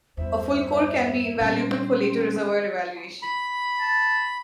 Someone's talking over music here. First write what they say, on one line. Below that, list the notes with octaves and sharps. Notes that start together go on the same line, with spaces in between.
A full core can be invaluable for later reservoir evaluation.
E2 G2 E4 C5 E5
A#2 G3 C4 C#4 C5
B5
A5